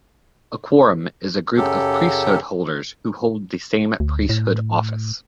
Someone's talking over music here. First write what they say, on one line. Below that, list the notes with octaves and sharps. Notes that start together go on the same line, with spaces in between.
A quorum is a group of priesthood holders who hold the same priesthood office.
F#2 C#3 F#3 G4 A4
D2
A2